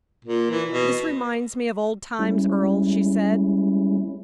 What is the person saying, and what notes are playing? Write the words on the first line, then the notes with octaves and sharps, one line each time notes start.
"This reminds me of old times, Earle," she said.
A#2
E3
B2
G3 G#3 C#4 E4